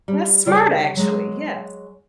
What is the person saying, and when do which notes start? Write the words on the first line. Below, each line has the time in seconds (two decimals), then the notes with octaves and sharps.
That's smart actually, yes.
0.08 G3
0.46 C#3 G3 D5 G5
0.97 F#3 G#3